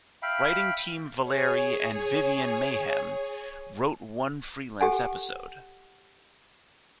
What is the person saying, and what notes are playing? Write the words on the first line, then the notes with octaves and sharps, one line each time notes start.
Writing team Valerie and Vivian Mayhew wrote one freelance episode.
E5 F5 G5 B5
G#4 C#5
G4 A4 F#5 G#5